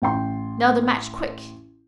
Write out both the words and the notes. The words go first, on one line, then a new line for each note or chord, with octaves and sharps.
Now the match, quick!
A1 G5 C6